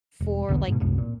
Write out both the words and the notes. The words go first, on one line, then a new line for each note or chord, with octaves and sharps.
for, like,
E1
B1 E2 D3 B3
G#2 B2
F#1 C2 F#2 A2
A#2